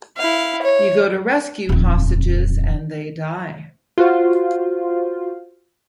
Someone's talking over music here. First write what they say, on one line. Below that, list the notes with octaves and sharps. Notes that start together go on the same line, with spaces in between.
You go to rescue hostages and they die.
E4 F5
C#5
D#1 F2
F4 F#4 C5